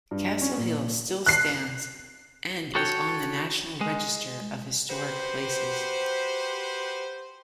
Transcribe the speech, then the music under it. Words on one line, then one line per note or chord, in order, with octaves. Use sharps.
Castle Hill still stands and is on the National Register of Historic Places.
G2
C#4
A#2
F#6 C7
F#4 A4 C#5 G5
G#3
F#4 G4 B4 C5